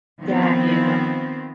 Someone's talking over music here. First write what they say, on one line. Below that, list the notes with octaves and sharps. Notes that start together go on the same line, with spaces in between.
Got you.
D#3 F3 B3 C4